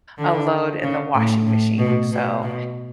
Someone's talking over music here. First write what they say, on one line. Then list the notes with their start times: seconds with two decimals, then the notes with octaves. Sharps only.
a load in the washing machine, so
0.18 D3
0.83 C#3
1.14 A2
1.47 A2
1.79 B2
2.11 B2
2.43 B2